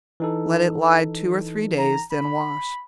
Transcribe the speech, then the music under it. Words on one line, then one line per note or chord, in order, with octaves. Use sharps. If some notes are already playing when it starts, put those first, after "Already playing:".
Let it lie two or three days, then wash.
E3 D#4 A4
A#5
B5